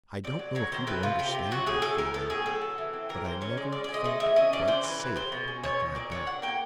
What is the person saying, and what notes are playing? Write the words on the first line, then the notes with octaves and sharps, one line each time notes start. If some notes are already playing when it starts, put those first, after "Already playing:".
I don't know if you will understand my feeling, but I never felt quite safe at my back.
C3 D5
F#3
F#3 C#5
D#3 C5
C3 B4
C3 F4
C3 G4
C3
F#3 F#4
A2 G#4
A2 A4
A2 A#4
B3 A4
A2 G#4
F#3 A4
B3
E3
C4
E3 A#4
E3 C5
C#4 C#5
G#3 D5
G#3 D5
D5
G#3
D#5
A3 D#5
E3 E5
C#4 D#5
E3 D5
E3 C5
E3 B4
E3 B4
G3 C5
B2
C#4
B2 C#5
B2
A#2 D5
D4 C#5
D4 F#5
A#3 G5